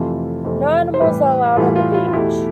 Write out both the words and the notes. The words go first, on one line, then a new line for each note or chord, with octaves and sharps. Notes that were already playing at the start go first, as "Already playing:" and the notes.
No animals are allowed on the beach.
Already playing: F2 C3 E3 A3 F4 A4
F2 C3 E3 A3
C5
A2 E3 G3 G4 B4
A2 E3 G3 F4 A4
F4
F4
F4
E2 B2 A3 E4 G4